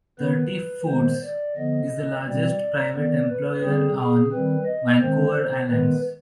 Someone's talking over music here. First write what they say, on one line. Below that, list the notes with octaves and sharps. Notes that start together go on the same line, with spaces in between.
Thrifty Foods is the largest private employer on Vancouver Island.
D#3 B3 B4
D#3 G#3 B3 C5
D5
D3 F3 B3 D#5
B2 G3 C4 D5
D#3 B3 D5
B4
D3 G3 C4 G#4
G#4
D#3 G3 C4 B4
D#5
D#3 G#3 C4 C5
D#3 G#3 B3 B4